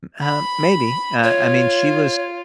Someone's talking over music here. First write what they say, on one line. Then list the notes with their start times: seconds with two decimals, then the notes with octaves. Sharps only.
Uh, maybe. Uh, I mean, she was
0.22 B5
1.23 F4 C#5